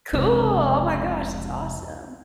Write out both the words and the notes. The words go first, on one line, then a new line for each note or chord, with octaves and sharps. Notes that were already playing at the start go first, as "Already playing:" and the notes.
Cool! Oh my gosh. That's awesome.
F1 C#2 C3